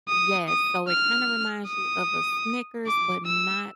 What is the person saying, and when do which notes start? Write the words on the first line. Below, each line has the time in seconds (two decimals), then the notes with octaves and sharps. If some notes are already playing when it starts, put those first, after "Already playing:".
Yes, so it kind of reminds you of a Snickers but not
0.09 D#6
0.48 D#6
0.88 F6
1.67 D#6
2.86 D6
3.26 E6